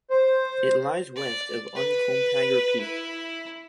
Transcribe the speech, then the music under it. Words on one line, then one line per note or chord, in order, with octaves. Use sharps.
It lies west of Uncompahgre Peak.
C5
D5
B4
E4